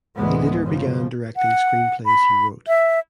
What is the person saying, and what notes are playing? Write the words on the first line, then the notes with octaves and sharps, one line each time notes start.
He later began directing screenplays he wrote.
D2 A2 E3 G#3 B3
G1 C#3 F3
F#5
B5
E5